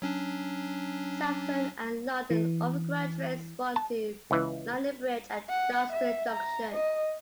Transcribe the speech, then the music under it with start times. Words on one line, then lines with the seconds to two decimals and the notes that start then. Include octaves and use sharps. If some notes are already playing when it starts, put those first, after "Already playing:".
Southern and London Overground trains run to London Bridge and Dalston Junction.
0.02 F#3 C#4 D4
2.30 E3
3.76 A5
4.31 C#2 E3
5.49 F#5
5.93 E5
6.31 A#5
6.72 D#5